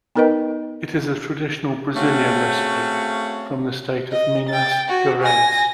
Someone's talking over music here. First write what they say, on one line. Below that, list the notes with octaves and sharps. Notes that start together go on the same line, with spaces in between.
It is a traditional Brazilian recipe, from the state of Minas Gerais.
B3 D#4 A#4 B4 D#5 G5
A3 C4 C#4 F#4 G#4 F5
D#5
G5 A6
F#4
G#5 A#6